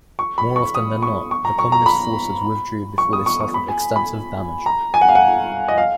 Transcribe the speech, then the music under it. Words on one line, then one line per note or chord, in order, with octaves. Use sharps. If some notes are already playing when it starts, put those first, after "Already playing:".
More often than not, the communist forces withdrew before they suffered extensive damage.
C#6
B5
C#6
D#6
C#6
C#6
A#5
C#6
A#5
B5
C#6
D#6
C#6
C#6
B5
G#5
B5
A#5
G#5
F#5
F5
F#5
D#5
F5